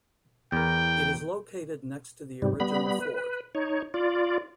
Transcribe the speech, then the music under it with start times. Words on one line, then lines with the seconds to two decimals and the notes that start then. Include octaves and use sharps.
It is located next to the original fort.
0.52 E2 A#4 G5
2.42 G#2 C3 G3
2.60 G3 B3 B5
3.00 B4
3.55 D#4 C#5
3.94 F4 D5